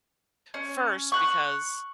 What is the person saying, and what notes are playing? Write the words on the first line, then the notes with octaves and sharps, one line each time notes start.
First, because
C#4
C#6 F#6